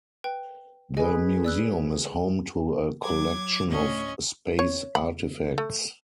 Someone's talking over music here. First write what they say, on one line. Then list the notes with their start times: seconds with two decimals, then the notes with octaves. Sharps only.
The museum is home to a collection of space artifacts.
0.24 B4 G5
0.97 G#4 B4 D#5 G#5
1.44 D5 E6 F#6
3.01 F#3 D6 G#6
3.67 D2 A2 C#4 D#5 C#6
4.59 C#5
4.95 B5
5.58 A3